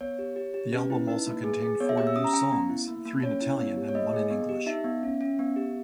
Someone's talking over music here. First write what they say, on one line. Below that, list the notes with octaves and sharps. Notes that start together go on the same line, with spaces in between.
The album also contained four new songs; three in Italian and one in English.
B3 C#5
G4
G4
G4
C#4 B4
E4
D#4
A#3
G#4
G#4
B3 C#5
E5
G4 G5
E6
C#4 D#6
A#5
C#4 G5
B3
E4
A#3
A#3
C#4 C#5
E4
B3
G4
C#5
A#3 D#5
G#4
B3
G4
D#4 E5
B3
C#4
C#4
B3
G4